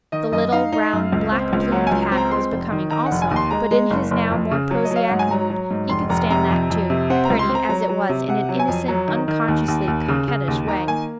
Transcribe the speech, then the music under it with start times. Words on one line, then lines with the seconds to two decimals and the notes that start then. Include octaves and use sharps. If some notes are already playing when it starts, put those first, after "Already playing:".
The little round, black-plumed hat was becoming also; but in his now more prosaic mood, he could stand that, too, pretty as it was in an innocent, unconsciously-coquettish way.
0.12 D#3 D#5
0.32 F#2 D#5
0.52 D#4 F5
0.72 D#4
0.93 F#2
1.12 C#2
1.32 C4
1.53 C#2
1.72 F#3 F#5
1.87 C#2 G#5
2.02 A#5
2.12 C4
2.17 A#5
2.31 G#3 C6
2.52 F1
2.72 D#3
2.91 D#3 A#5
3.06 F#5
3.11 F1
3.22 G#5
3.31 D#2 C6
3.51 G#3 A#5
3.71 G#3
3.90 F#1
4.11 F#1
4.30 F2
4.51 C#3
4.71 F#3
4.85 D#5
4.91 F#3
4.96 F5
5.08 G#2 F#5
5.19 G#5
5.31 F#3 A#5
5.50 F#3
5.71 G#2
5.90 F1 C6
6.09 F1 A#5
6.30 C3 A#5
6.50 F2
6.70 F2
6.90 C3
7.10 C4 F#5
7.25 A#5
7.30 C#2
7.39 C6
7.49 C4
7.55 A#5
7.69 F#3 A#5
7.89 F#3
8.09 C3
8.28 C3 F#5
8.49 F#3
8.59 G#5
8.68 F2
8.88 F#3 A#5
9.08 D#3
9.28 D#3
9.48 D#2
9.68 D#2
9.88 D#2
10.08 C#3
10.28 C#3
10.48 D#2
10.67 D#3 A#5
10.87 A#3 G#5